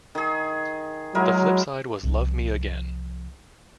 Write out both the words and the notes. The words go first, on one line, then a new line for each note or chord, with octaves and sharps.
The flip side was "Love Me Again".
D#3 G#4
F#3 G#3 E4 A#4
C2 F3